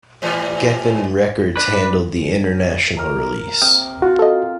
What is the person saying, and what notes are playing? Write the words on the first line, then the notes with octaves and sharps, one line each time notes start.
Geffen Records handled the international release.
G#2 E3 G3
D4 B4
A#4 A#5
C3 G5 D#6 F6
F4 F#4
A4 D#5